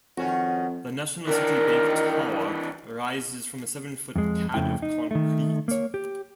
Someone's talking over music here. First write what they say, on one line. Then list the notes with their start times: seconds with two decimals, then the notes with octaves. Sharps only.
The National City Bank Tower rises from a seven foot pad of concrete.
0.17 F2 D#3 C#4 F#4
1.27 D#3 E3 D4 A#4
4.16 F2 G#3
4.54 F2 C#3 A3 E4 G5
4.82 D#4
5.11 D#3 A3
5.68 A#3 C#5
5.94 G4